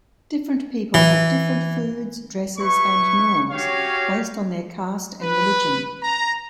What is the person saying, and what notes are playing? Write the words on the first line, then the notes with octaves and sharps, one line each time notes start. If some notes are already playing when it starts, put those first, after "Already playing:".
Different people have different foods, dresses and norms based on their caste and religion.
E3
E4 B4 C#6
C#4 F#4 G4 C#5 F5
B4
A#5